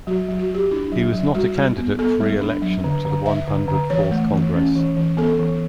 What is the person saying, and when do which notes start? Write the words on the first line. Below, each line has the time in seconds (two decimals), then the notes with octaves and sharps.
He was not a candidate for reelection to the One Hundred Fourth Congress.
0.07 F#3 F#4
0.28 F#3
0.39 F#4
0.50 F#3 G4
0.71 D4 E4
0.92 F#3
1.13 F#3
1.35 G3 F#4
1.56 G3
1.78 B3
1.99 B3 A4
2.20 G3
2.41 D4
2.62 F#3
2.84 D3
3.05 D3
3.26 D3 E5
3.48 D3
3.68 D3
3.90 E3 C#5
4.11 A3
4.33 E3
4.54 C#4
4.75 E3
4.97 E3
5.17 B3 A4
5.39 E3